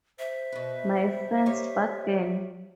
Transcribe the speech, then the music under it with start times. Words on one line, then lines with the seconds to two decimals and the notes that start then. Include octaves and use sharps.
My friend's buggin'.
0.19 C5 E5
0.52 B2 B4
1.46 G3 F4 C#5